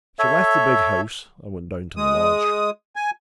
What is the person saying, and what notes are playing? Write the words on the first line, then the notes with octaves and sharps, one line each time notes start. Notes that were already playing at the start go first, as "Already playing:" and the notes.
She left the big house and went down to the lodge.
A4 C#5 E5
G#3 D#6
G#5